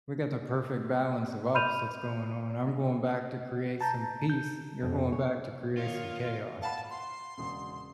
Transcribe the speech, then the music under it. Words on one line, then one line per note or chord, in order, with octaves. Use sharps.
we got the perfect balance of opposites going on. I'm going back to create some peace, you're going back to create some chaos.
B5 C6 F6 G6 D#7 F7
A5 A#5 G6
G6
F2 B2
C#5
D#3 A#3 F4 C#5
F5 F#5 A5 B5
C6
E1 C#3